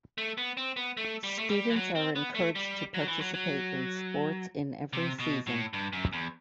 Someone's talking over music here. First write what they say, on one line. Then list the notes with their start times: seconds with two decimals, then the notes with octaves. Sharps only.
Students are encouraged to participate in sports in every season.
0.18 A3
0.38 B3
0.57 C4
0.77 B3
0.97 A3
1.23 G3
1.38 A3
1.50 G3
1.70 E3
1.76 F#3
1.95 C4
2.16 B3
2.35 A3
2.55 G3
2.94 F#3
3.08 E3
3.21 F#3
3.34 F#3
4.93 C3
5.20 B2
5.47 A2
5.73 G2
5.93 F#2
6.13 E2